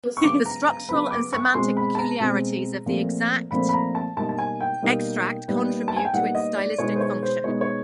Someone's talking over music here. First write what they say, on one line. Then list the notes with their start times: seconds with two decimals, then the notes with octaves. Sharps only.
The structural and semantic peculiarities of the extract contribute to its stylistic function.
0.17 C#6
0.24 C#3 F#3 B3 D6
0.46 A#5
0.67 A#5
0.89 C#3 F#3 B3 B5
1.11 D6
1.33 C#6
1.54 B2 G#3 C4 C6
1.77 B5
1.95 A5
1.98 A#5
2.20 B2 G#3 C4
2.86 A#2 F3 A3 C4
3.51 A#2 F3 A3 C4 B5
3.69 B5
3.73 A#5
3.95 A5
4.17 B2 G3 A#3 D#4 A5
4.29 A5
4.38 G#5
4.61 G5
4.82 B2 G3 A#3 D#4
5.48 A#2 G3 B3 D#4
5.88 A5
5.96 G#5
6.05 G5
6.13 A#2 G3 B3 D#4 F#5
6.35 D#5
6.57 D5
6.78 B2 G#3 B3 D#4 C#5
6.96 C5
7.01 C#5
7.23 C5
7.44 B2 G#3 B3 D#4 C#5
7.61 C#5